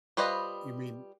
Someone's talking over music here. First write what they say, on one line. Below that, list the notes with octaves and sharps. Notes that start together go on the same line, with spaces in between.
You mean
G3 F4 B4 C5 D#5